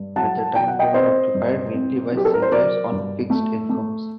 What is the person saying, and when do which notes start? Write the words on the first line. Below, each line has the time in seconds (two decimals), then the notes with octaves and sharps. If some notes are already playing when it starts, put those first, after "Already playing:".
At the time they were occupied mainly by seniors on fixed incomes.
Already playing: G2
0.16 F#3 F#5 A5
0.55 F#3 G5
0.68 F#5
0.79 D#5 G5
0.94 C4 C5 D#5
1.34 G2
1.73 C4
2.12 F#3
2.17 G4
2.25 A4
2.34 A#4
2.42 C5
2.51 F#3 A#4 D5
2.91 G2
3.30 A3
3.69 A3